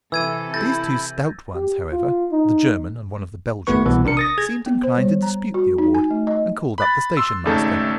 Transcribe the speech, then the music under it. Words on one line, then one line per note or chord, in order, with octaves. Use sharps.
These two stout ones, however--the German and one of the Belgians--seemed inclined to dispute the award, and called up the station-master.
C3 E3 A4 E6 G#6 D#7
E4 G6 A6 A#6
G4
F4
D#4
G#1 A3 B3 B4 C#6
C2 B2 E3 B3
A1 C3 D4 A#4 C#7
D#6 A6 A#6
G#4 G#6
B3
C5
G3
A#5
F#4
D#4
G#5
A3
D#5
B5 F#6 A6
C6 E6
G#1 C#3 A3 D#4 A4